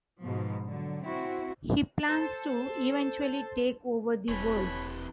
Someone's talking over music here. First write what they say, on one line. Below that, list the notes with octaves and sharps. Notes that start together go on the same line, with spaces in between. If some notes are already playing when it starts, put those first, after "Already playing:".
He plans to eventually take over the world.
G#2 B2 F3
D3 F#3
C4 E4 F#4
A4 C5 A5
E1 C3 E3 C#5 A5 B5